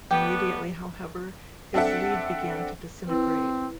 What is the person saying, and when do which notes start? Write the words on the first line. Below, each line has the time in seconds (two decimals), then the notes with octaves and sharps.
Immediately, however, his lead began to disintegrate.
0.11 G3 A3 B3 G4 G5
1.74 C4 D4 A4 E5 F#5
3.08 C4 E4 B4